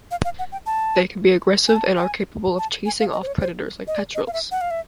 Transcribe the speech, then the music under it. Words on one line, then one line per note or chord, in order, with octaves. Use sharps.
They can be aggressive and are capable of chasing off predators like petrels.
F5
F5
F#5
G5
A5
G#5
A5
G5
G#5
A5
G#5
F5
D#5
C5
C#5
C5
D#5
D5
D#5
F5
E5
F#5
F5
E5